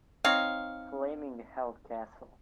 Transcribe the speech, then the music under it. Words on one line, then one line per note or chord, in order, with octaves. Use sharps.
Flaming Hell Castle!
C4 D#4 C#5 F5